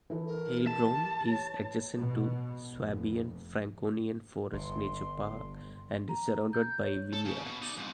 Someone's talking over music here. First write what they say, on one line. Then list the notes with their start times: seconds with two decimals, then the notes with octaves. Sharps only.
Heilbronn is adjacent to Swabian-Franconian Forest Nature Park and is surrounded by vineyards.
0.10 E3 E4 A4
0.27 A#4
0.67 G4 A5
1.29 C#5
1.99 B2
2.76 F1
4.53 G1 C6
6.09 A#5
6.53 G6
6.82 C#5
7.13 A4
7.25 C#3
7.45 B2
7.62 D#4 D5
7.77 F2 G#2